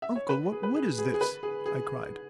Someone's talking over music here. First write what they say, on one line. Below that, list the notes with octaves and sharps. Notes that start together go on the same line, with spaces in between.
"Uncle, what wood is this?" I cried.
E5
C#5
B4
G#4
B4
G#4
G#4
G#4
B4
G#4
G#4